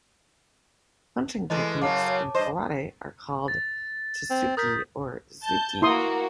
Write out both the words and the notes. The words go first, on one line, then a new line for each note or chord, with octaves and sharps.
Punching techniques in Karate are called "tsuki" or "zuki".
E3 G#3 A3 D#5
F#2 C#3 F#3 C#5 F5 A5 D6
G2 C5 D#5
A6
C4
A#4 D#6 G6 B6
A5 G6
A#3 E4 F#4 C6 D#6